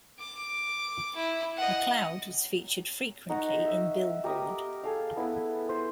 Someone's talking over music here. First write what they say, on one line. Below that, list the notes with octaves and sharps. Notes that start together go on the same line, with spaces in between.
McCloud was featured frequently in "Billboard".
D6
E4
D#5 F#5
D#4 F#5 A#5 C#6
E5
G4 A#4 B5 D#6
G#4 A4 F5
B3 E4 B4
C5